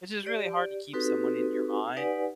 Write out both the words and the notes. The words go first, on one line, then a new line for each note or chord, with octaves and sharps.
It's just really hard to keep someone in your mind.
G4 D5
C4 D#4 F#4 G4 A4 B4
D#4 G4 B4 D5 F#5 G#5